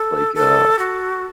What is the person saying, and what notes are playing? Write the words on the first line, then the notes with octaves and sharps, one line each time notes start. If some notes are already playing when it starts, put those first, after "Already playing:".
Like, uh,
Already playing: A4
A4
F#4